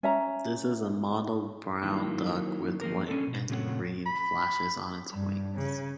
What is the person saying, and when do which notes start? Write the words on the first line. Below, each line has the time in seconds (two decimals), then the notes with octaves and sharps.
This is a mottled brown duck with white and green flashes on its wings.
0.03 C#4 E5 A#5
1.82 D#3 F#3 A#3 E4
2.81 F3 A#3 A#4
3.08 C#4 D4 A4
3.27 B2
3.49 A#2 C#3 A3 C4 C#5 F#5
4.06 B5
5.14 G2
5.55 C#3